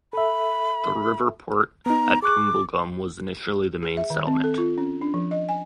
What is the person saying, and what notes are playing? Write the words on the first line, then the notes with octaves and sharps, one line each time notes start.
The river port at Tumbulgum was initially the main settlement.
A4 E5 B5
B3 D#4 A#5
G#4 C#6 D6 F#6
G#4
E5
D#3
C4
A4
F4
C#4
D4
F3
D#5
G#5